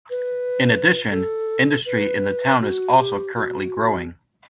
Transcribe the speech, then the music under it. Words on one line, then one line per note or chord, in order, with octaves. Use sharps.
In addition, industry in the town is also currently growing.
B4
A4
B4
F#4
G4
F#4